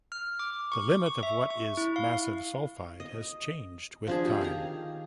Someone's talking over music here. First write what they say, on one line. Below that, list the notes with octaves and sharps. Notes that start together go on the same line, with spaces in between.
The limit of what is "massive sulfide" has changed with time.
F6
D6
C#6
C#6
E5
C#6
E4
F5
D#5
F3 D4 G#4
G4 G#4
D#3 F5 A#5